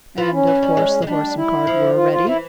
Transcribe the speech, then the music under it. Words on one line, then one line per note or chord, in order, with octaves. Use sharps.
"And, of course, the horse and cart were ready?"
E3 F4
C#4
E3
G3
G#3
G#3
G3 D4
E4
F3
F4
F4
E3 E4